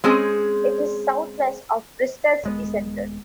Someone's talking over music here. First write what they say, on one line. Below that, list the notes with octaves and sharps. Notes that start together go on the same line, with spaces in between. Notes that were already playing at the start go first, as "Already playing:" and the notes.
It is southwest of Bristol city centre.
G#3 C4 C#4 G#4
D#1 G#3 B3